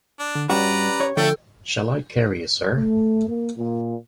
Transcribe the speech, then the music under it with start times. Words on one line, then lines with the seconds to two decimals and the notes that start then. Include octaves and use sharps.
Shall I carry it, sir?
0.19 D4
0.35 D3
0.50 G2 C#4 F#4 G4 B4 D5 A#5
1.00 C#5
1.17 D3 F3 A3 G5
2.76 A3
3.27 A#3
3.57 A#2